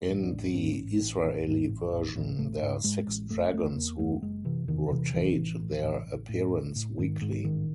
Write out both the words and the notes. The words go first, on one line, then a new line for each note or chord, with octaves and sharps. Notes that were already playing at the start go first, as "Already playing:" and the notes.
In the Israeli version, there are six dragons who rotate their appearance weekly.
A1
D4
A1
G#2 C#4
A1
A1
A1
G#2
A1
A1
A1
A1 A3
G#2
G#2 G#3
A1
F#1 A3
F#1 A3
E2 A#3
F#1 A3
F#1 G#3
C3 E3
E2 D#3
C3 E3
A1 E3
A1
A2
A1
A1
A2
A1
A2
G#2 D#3
G#2
A1 D#3